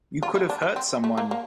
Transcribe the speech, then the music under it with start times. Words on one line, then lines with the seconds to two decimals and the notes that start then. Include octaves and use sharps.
You could have hurt someone!
0.23 F4
0.35 E4
0.49 D4
0.62 E4
0.76 C4
1.04 A3
1.17 A#3
1.31 A#3